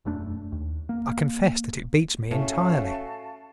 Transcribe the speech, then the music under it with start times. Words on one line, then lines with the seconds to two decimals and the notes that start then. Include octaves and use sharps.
I confess that it beats me entirely.
0.05 E1 F#2 A3 D4
0.52 D#2
0.89 A#3
2.31 A2 A3 C#4 F#4 F5 A5